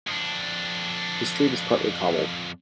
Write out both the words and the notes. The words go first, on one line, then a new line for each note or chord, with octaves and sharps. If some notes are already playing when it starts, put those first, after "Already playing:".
The street is partly cobbled.
F2 D4